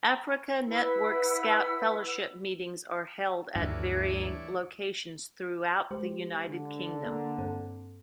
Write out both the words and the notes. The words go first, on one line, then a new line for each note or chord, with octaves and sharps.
Africa Network Scout Fellowship meetings are held at varying locations throughout the United Kingdom.
E4 B4 F#5 E6
D2 G2 E3 C#5 D5
G#3 G4 C5
D3
A#3 A#5
G2 C4 A4